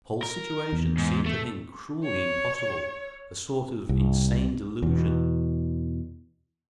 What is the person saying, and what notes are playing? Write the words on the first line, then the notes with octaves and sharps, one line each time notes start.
The whole situation seemed to him cruelly impossible,--a sort of insane delusion.
A#4
E2
G#2
A3
C#5
C2
E2 B2